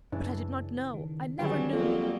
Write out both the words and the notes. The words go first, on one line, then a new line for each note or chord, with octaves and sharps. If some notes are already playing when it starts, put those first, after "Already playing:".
But I did not know; I never knew!
F#2 C#3 E3 D4
D#3
D3 D#3 F#3 G3 D4 G#4 B4 G5
F2 F#3 G3 A#3 B3